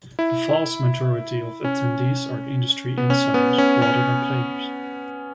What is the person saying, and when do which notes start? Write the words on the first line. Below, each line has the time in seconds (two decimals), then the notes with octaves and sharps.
The vast majority of attendees are industry insiders, rather than players.
0.19 E4
1.64 C#4
2.98 B3
3.10 C#4
3.34 B3
3.58 C#4
3.82 C#4